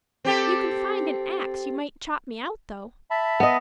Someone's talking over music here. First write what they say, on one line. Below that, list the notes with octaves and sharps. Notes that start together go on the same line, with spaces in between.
If you can find an axe you might chop me out, though.
C4 G4 A4
E5 A5 B5
B3 D#5